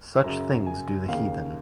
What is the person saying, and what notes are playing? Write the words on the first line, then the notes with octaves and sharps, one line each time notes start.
Such things do the heathen.
F#2 C#3 A#5
G#5
D#2 C#3 F5